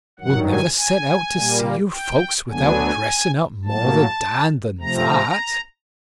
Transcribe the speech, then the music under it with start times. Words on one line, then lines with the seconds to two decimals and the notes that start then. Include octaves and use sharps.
"You will never set out to see your folks without dressing up more the dand than that?"
0.19 G2 D#3 F#3 F#5
0.49 G#5
0.77 G#5
1.35 A#2 G3 A#3
1.92 G5
2.50 D2 D3 F#3 B3 D4 G#5
3.65 A2 F#3 A#3 A5
4.80 C3 F3 A3 C4 A#5